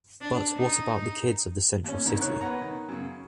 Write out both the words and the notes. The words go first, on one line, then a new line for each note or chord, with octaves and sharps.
But what about the kids of the central city?...
D4
D#4
D#2 C#4
C2 F2 D3 D#3 C#4
D#3 C#5 F#6
B4 C#5 F#5 A#5
D#3
F#2 C#3